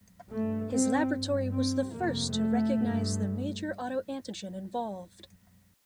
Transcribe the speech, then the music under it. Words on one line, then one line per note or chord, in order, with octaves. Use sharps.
His laboratory was the first to recognise the major auto-antigen involved.
G2 A3
C4
G2
C4
F2 C3 A#3
A3
G2